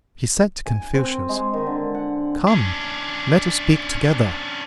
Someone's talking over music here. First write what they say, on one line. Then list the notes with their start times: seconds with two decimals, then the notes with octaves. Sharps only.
He said to Confucius, Come, let us speak together.
0.66 G#5
0.94 C4
1.29 G#3
1.53 D#3
1.66 D3
1.94 F#5
2.48 C#4 D4